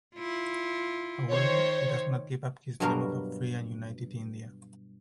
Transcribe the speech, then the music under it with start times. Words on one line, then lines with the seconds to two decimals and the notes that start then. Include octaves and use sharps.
However, he does not give up his dream of a free and united India.
0.16 E4 F4
1.31 D#3 C5 C#5
2.80 G2 B2 F#3 A#4 F5